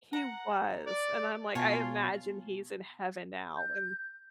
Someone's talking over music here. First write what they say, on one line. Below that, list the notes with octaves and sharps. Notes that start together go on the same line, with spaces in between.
He was, and, I'm, like I imagine he's in heaven now, and
F#5 A#5
D5
B2 F4 C#5 G#5 A5
G6